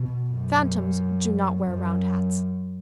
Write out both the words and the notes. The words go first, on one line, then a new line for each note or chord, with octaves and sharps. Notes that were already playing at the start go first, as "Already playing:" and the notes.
Phantoms do not wear round hats.
Already playing: B2
F#2
F#2